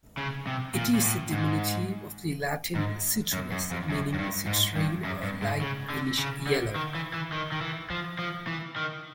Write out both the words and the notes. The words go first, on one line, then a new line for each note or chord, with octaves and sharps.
It is a diminutive of the Latin "citrinus" meaning citrine or light greenish-yellow.
C#3
C3
A#2
A#2
A2
G#2
G#2
F#2
F#2
F2
F#2
F#2
G2
G#2
G2
F#2
G2
G#2
C#3
D3
C#3
D3
D#3
E3
E3
D#3
D#3
E3
F3
F3
E3
D#3